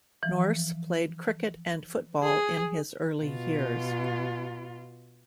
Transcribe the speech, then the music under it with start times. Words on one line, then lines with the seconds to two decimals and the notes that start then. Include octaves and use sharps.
Nourse played cricket and football in his early years.
0.23 E3 F3
2.23 G#4
3.22 B2 F4